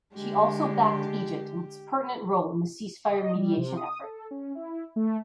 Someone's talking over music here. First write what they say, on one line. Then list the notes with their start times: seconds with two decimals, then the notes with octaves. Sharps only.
She also backed Egypt in its pertinent role in the ceasefire mediation effort.
0.15 D3 G#3 G4
3.12 D#5
3.35 G3
3.57 C3
3.77 D#6
4.03 A4
4.31 C#4
4.55 E4
4.96 A3